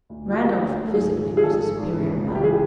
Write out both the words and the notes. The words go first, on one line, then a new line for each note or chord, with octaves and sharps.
Randolph, physically, was a superior man.
D2
F3
F#4
D3 G4
D2
D2
A4
G#1 G#4
F3
F3
G#4
G#1 A4
F3
G#1
C#3
C#2
C#2
G4
E3 G#4